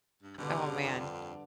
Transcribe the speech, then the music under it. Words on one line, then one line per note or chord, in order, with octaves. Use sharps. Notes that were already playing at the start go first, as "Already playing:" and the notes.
Oh, man,
G2
G2 B2 D3
F2